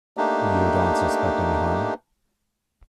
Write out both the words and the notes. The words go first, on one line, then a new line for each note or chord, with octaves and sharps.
You don't suspect any harm?
A3 A#3 D4 D#4 G4